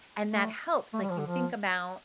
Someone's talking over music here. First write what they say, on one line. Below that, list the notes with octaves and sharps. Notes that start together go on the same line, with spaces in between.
and that helps. Like you think about
A3
A3
G3
F3
D3
F3